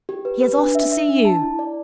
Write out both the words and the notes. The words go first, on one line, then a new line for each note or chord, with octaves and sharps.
He has asked to see you.
G4
B4
B4
D4
E5
E5
D4
A5
E4
D5